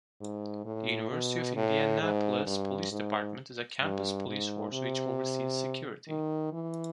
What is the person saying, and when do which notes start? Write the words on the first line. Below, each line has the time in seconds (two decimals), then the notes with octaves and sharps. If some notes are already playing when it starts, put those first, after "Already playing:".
The University of Indianapolis Police Department is a campus police force which oversees security.
0.21 G#2
0.65 A2
1.10 B2
1.56 A2
2.01 G#2
2.46 G2
2.92 G#2
3.82 G2
4.27 G#2
4.72 C3
6.08 D#3
6.52 E3